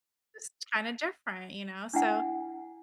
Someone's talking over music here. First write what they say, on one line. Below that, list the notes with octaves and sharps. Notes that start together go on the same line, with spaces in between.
it's kind of different, you know, so
D4 E4 F#5 G#5